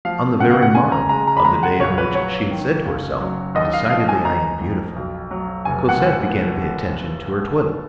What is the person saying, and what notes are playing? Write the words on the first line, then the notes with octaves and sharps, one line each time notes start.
On the very morrow of the day on which she had said to herself: "Decidedly I am beautiful!" Cosette began to pay attention to her toilet.
F3 F5
C#3 F#5
F5
F#5
C#3 G#5
A#5
G#3 A#5
A#5
B5
G#3 A#5
F#5
A#1 C#5
B4
F#3 C#5
D#3
F#1
F#3
D#2 D#5
F5
F3 F5
G#5
F2 A#5
F2
B1
F#3
F1 G#5
F#5
D#2
F#5